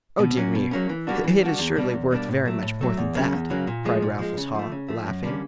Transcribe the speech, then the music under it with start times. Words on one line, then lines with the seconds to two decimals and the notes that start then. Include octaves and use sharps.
"Oh dear me, it is surely worth very much more than that," cried Raffles Haw, laughing.
0.19 B2
0.37 F#3 A#3 C#4
0.55 B2
0.71 F#3 A#3 C#4
0.89 E3
1.07 G3 A#3 D4 F#4
1.24 E3
1.42 G3 A#3 D4 F#4
1.59 E2
1.76 B2 G3 A#3 D4
1.94 E2
2.11 B2 G3 A#3 D4
2.29 A2
2.46 F#3 A3
2.63 A2
2.81 F#3 A3
2.97 E2
3.15 C#3 F#3 A#3
3.32 E2
3.50 C#3 F#3 A#3
3.67 A#2
3.85 F3 G#3
4.02 A#2
4.19 F3 G#3
4.37 C#3
4.54 F3 A3
4.72 C#3
4.88 F3 A3
5.06 F#2
5.23 D3 G3 A#3 C#4